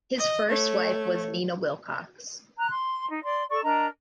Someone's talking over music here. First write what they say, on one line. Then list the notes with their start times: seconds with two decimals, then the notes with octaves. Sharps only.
His first wife was Nina Wilcox.
0.18 D#5
0.48 A3 C#5
2.58 A#5 F#6
2.70 C6
3.10 D#4
3.23 D5 C6
3.49 A4 D5 C#6
3.62 D4 A#4 D#5 A#5